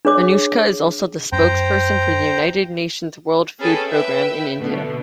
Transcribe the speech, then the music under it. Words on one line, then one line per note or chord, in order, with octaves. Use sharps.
Anoushka is also the spokesperson for the United Nations World Food Programme in India.
D4 G#4 C#5 D6
F#2 C#4 C5 G5 A#5
C#4 G#4 A4 B4 G5
B4 E5 G5
B2 D3 A3 B3